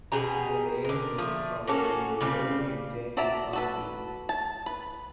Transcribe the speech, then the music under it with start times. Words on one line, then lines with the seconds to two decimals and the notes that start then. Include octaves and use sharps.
The range is found in Lyon and Churchill Counties.
0.12 B2 G4 G#4 A#5
0.85 D3 A#4
1.18 F3 A3
1.68 A#3 C#4 F#4 A4
2.21 C#3 G3 C4
3.17 F#4 A4 D5 E5 A#5
3.53 F#4 A4 B4
4.29 A5
4.66 B4